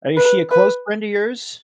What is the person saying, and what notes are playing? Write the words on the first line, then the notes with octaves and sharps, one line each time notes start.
Uh, is she a close friend of yours?
B4
B4